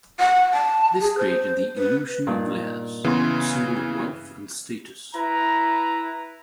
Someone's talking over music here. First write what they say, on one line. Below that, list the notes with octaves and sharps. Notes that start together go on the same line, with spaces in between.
This created the illusion of layers, a symbol of wealth and status.
F#5
A5
G#4
C5
B4
G2 A#2 D#4
C#3 E3 B3 C6
E4 B4 A#5